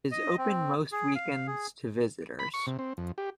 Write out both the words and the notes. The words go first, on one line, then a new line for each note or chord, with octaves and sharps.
It is open most weekends to visitors.
D#5
C4
G#4
F5
G#4
B5
C#6
C3
C4
F2
G4